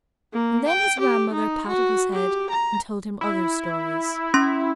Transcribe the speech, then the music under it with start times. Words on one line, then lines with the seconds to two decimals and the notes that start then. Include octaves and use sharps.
And then his grandmother patted his head and told him other stories.
0.33 A#3
0.68 G5
0.99 G4
1.33 D#4
1.68 F#4
2.13 G4
2.50 A#5
3.21 E4
4.34 C#4 C6